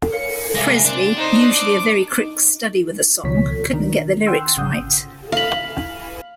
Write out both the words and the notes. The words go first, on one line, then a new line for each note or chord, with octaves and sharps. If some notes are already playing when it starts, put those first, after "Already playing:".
Presley, usually a very quick study with a song, couldn't get the lyrics right.
A#4 C#5 F5 C#7
C2 G#3 A#4 E5 F5 G#5 D6 A#6
C4 D4
D#4 C5 D#6
D6
D#4
C#2 B2 D#3 F3 C#5 B6
D#3 D4 A#4
F#5 G5 C6 E6
G#1 C#3 F#5 D#6 G6
F5 B5